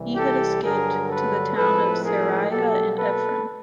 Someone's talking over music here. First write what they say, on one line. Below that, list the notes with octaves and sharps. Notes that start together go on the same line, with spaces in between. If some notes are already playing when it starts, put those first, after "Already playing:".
Ehud escaped to the town of Seraiah in Ephraim.
Already playing: C2 C3 E3 G3
G4 A4
G2 D3 F#3 G#4 A#4
A4 B4
A2 F3 G#3 C4 A4 B4
G#4 A#4
B2 F#3 A#3 G4 A4
A4 B4